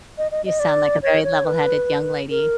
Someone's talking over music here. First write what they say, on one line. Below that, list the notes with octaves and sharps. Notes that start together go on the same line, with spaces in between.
You sound like a very level-headed young lady.
D#5
D#5
D#5
D5
C#5
C#5
B4
A#4